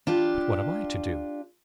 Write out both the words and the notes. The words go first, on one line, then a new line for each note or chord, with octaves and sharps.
"But what am I to do?"
D4 F4 G4